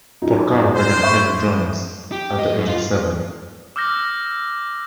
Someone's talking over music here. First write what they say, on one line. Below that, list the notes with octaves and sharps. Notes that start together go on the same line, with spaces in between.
Porcaro began playing drums at the age of seven.
F#2 A#2 D#4
C5
E5 B5 C#6
G4
D#5
F#2
F4
D6 E6 F6 G6 A#6